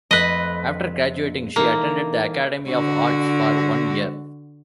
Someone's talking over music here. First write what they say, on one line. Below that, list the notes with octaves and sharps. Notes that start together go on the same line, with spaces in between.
After graduating she attended the Academy of Arts for one year.
F2 A3 B4 D#5
E3 A#3 D#4 A4
D3 F#4